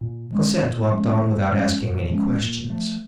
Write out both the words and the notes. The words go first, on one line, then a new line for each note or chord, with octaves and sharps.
Cosette walked on without asking any questions.
A#2
F3 G#3 C#4
A#2
F3 G#3 C#4
A#2
F3 G#3 C#4
A#2
F3 G#3 C#4
A#2
F3 A3